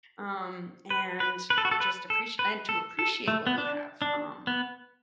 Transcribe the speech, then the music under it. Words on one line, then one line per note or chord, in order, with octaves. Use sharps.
um, and d just apprec and to appreciate what we have, um.
B4
B4
B4
A4
F#4
A4
B4
A4
B4
A4
A4
A3
B3
D4
D4
B3